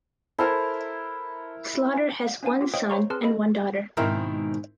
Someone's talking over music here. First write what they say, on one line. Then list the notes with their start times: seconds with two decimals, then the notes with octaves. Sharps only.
Slaughter has one son and one daughter.
0.38 E4 A4 A#4 C5 G#5
2.43 C#4 D4 C5 F5 G#5 A5
2.61 F4 G4
2.74 C5 C#5 D#5 F5 G5 D#6
2.90 C5 C#5 F5 A#5 C6 C#6
3.10 C4 G#4 B4 A5 C6 F6
3.23 A4 D#5 B5
3.97 G#2 B2 D#3 C4 E4 A#4